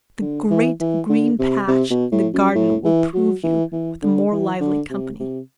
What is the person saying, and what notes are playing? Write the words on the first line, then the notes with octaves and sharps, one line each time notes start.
The great green patch in the garden will prove you with a more lively company.'
D3
E3
E3
D3
C3
C3
B2
A2
F#2
A2
E3
F#3
E3
E3
D3
E3
D3
C3
C3